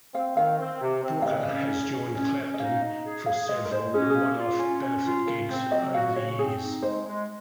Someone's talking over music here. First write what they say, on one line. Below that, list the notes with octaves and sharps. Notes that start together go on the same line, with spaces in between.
Brooker has joined Clapton for several one-off benefit gigs over the years.
C4 F5
D#3 F5
C4
C3
C4
F5
C#3 D#5
C#4
G#4
C#4
C#4
C#4
D#5
D#4 F5
D#4
G#4
G#4 F5
G#3 D#5
A#4
G#3 C5
C#4 G#4
F#4
G#4
A#3
F4
C#4
C#4
F4
C#3 A#4
C4 C5
F#3 D#5
F#4 F5
C#3 C#5
C4 G#4
D#4
G#3 C5
G#3